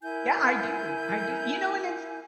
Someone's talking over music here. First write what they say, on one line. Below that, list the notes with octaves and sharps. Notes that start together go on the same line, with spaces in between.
Yeah, I do, I do. You know, and it's
E4 A#4 G#5 G6